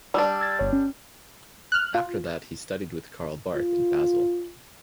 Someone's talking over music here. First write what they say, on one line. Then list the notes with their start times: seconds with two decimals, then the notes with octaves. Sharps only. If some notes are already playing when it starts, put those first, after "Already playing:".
After that he studied with Karl Barth in Basel.
0.14 G3 D4 E6
0.40 E6 G#6 A6
0.59 G1 C#5
0.73 C#4
1.72 F6 F#6
1.94 F4
3.55 F4